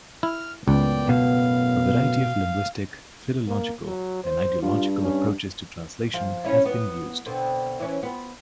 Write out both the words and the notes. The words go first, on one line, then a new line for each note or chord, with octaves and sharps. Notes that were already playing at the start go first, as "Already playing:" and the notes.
A variety of linguistic, philological and ideological approaches to translation have been used.
E4 F6
C#2 F#2 A2 B3 D5 G5
B2 F5
A#3
F#3
C5
G2 F4
C#4
F3 F5
C#4 E4
B3
B2 D3 C4
E3 C#4
B3 F4